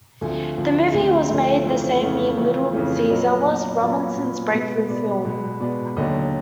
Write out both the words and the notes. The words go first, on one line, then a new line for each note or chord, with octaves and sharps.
The movie was made the same year "Little Caesar" was, Robinson's breakthrough film.
D2 D3 F3 A3 C4 G#5
D2 D3 F3 A3 C4
D2 D3 F3 A3 C4
D2 D3 F3 A3 C4
F2 C#3 E3 A3 G5
F2 C#3 E3 A3
F2 C#3 E3 A3
F2 C#3 E3 A3
A#2 F#3 B3 D#5
A#2 F#3 B3
A#2 F#3 B3 D5
C#5
A#2 F#3 B3
B2 G#3 B3
B2 G#3 B3 D5
B2 G#3 B3
B2 G#3 B3 D5
D#2 D3 F#3 D#5